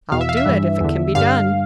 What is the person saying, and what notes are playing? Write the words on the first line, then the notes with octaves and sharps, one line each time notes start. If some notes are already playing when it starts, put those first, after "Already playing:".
"I'll do it--if it can be done."
E2 B2 F5
E5
F5
E5
G2 E3
E2 D3
G2 D3 F5